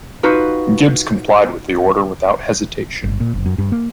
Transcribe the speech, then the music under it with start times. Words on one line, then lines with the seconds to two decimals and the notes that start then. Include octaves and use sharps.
Gibbs complied with the order without hesitation.
0.23 D#4 F4 F#4 B4
3.03 G1
3.20 A#2
3.34 F#1
3.46 F#2
3.58 G2
3.72 A#3